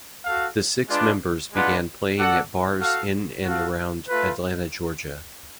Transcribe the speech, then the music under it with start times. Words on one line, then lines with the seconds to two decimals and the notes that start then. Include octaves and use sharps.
The six members began playing at bars in and around Atlanta, Georgia.
0.25 F#4 A4 F5
0.89 G#3 D4 F4 B4 D5
1.52 G#3 D4 F4 B4 F#5
2.17 F#4 A4 D5 F#5
2.80 F#4 A4 F5
3.44 F#4 A4 F5
4.08 A3 F4 B4